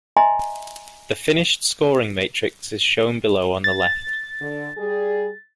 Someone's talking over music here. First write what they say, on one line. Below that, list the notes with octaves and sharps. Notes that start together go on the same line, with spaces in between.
The finished scoring matrix is shown below on the left.
D#5 E5 G#5 A#5 C6
A6
D3
G3 G#4